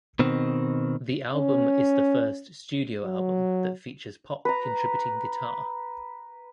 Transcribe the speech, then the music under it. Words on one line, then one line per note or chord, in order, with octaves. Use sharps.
The album is the first studio album that features Pop contributing guitar.
B2 D#3 C4
C#4
F#3
B4 A#5